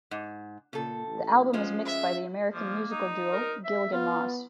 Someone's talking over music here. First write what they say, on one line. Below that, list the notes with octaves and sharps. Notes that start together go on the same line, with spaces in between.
The album is mixed by the American musical duo Gilligan Moss.
G#2
A#2 C#3 A4
A1
F3 G#3 C#4
E5
F3 A#3
D#4
A#4
E5
B3 F4 F5